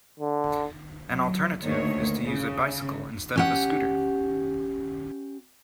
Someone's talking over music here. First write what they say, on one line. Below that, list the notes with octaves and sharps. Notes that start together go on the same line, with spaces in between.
An alternative is to use a bicycle instead of a scooter.
D3
F#3
D2 D#3 A#3 C#5
C#3
C#4 G4 F#5